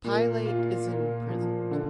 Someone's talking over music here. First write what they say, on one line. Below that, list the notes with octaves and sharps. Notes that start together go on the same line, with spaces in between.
Pilate is imprisoned.
A#2
F4
A#2
F3
D3